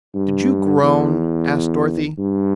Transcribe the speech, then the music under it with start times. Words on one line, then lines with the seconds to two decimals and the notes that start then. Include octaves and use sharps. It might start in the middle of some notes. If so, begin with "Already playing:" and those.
"Did you groan?" asked Dorothy.
0.14 G2
0.83 E2
2.18 G2